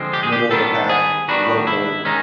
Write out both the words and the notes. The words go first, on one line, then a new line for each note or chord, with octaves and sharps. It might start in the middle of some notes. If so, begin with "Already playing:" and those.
middle of the pack, local,
Already playing: D3 F3 G#3 C4
G4
G#4
G4
D#3 G3 B3 D4 A4
G#4
D#3 G3 B3 D4 F#4
E4
D#3 G#3 C#4 D#4